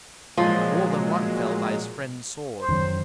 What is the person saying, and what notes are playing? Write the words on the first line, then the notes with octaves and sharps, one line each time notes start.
More than one fell by his friend's sword.
A#2 F3 F#3 G#3
C5
F#2 D#3 F#3